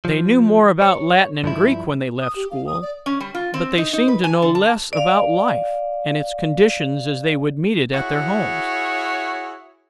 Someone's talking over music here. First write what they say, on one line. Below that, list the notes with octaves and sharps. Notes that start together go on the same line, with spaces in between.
They knew more about Latin and Greek when they left school, but they seemed to know less about life and its conditions as they would meet it at their homes.
F3
C#5
G2 F3 E4
D#6
G4
F5
D#6
D5
C#4
G3
F4
C4
D#4
D#4
B4
G#5
D3
A5
D5 F5
E4 F#4 G#4 C#5